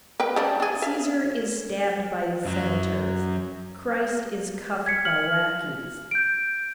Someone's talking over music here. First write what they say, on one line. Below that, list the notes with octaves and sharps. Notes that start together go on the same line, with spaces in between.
Caesar is stabbed by the senators; Christ is cuffed by lackeys.
A#4 B4 G5
C#3 G3 D4
D4 G#4
E5 F5
F#2 F#3
G#6 B6 C#7
F6 F#7
G6 D7